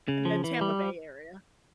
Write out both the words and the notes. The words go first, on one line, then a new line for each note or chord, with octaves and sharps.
and the Tampa Bay area.
C#3
F3
E3
G3